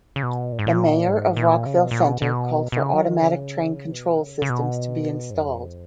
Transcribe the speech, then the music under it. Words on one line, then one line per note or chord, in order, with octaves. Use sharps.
The mayor of Rockville Centre called for automatic train control systems to be installed.
C#3
B2
A#2
G#2
A#2
G#2
A#2
C#3
B2
A#2
B2
B2
B2
C#3
F#3
D#3
C#3
B2
C#3
C#3
B2
G#2
F#2
F2